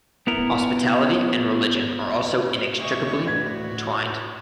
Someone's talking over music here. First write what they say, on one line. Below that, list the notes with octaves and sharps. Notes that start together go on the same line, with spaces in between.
Hospitality and religion are also inextricably entwined.
B3 E4 A#4
D2 D#5 C#6
A2 F#4 B4 D5 G#6